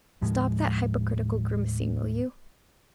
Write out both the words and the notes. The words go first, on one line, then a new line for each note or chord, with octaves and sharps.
Stop that hypocritical grimacing, will you.
D#2 A2 F3 G#3